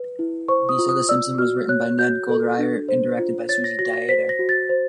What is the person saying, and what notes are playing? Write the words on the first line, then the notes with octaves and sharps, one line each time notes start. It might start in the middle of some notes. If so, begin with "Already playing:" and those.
"Lisa the Simpson" was written by Ned Goldreyer and directed by Susie Dietter.
Already playing: B4
E4
C5 C#6
D#6
F4
D#6
D5 E6
F#4 F6
C#5 F#6
F#4 G6
A4
D4
C5
F4
C#5 A6
A#6
F#4 A#6
A#6
C5 B6
A#6
F#4
A6
C5